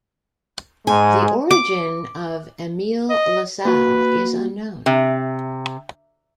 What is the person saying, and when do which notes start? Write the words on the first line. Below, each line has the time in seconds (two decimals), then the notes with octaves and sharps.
The origin of Emil LaSalle is unknown.
0.87 G#2 G#3 G#5
1.51 D6
3.10 D#5
3.65 A#3 F#4 B4
4.86 C3